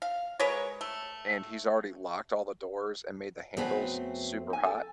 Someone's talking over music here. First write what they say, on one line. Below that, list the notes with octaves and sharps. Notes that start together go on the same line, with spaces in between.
and he's already locked all the doors and made the handles super hot,
F5
G#3 A#4 B4 C#5
A3
F2 F#3 A3 B3 C4 G#4 B4 G#5
D#4 G#5
A4